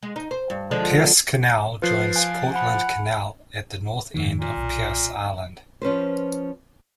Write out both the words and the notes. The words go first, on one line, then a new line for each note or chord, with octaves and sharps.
Pearse Canal joins Portland Canal at the north end of Pearse Island.
G#3
D#4
C5
G2
D3 F3 G#3
F3 F4 B4 F#6 C7
F5 G#5 F#6
F#5 G#5 B5
F2 A2 D#3
A#2
B1
F3 C#4 B4 C5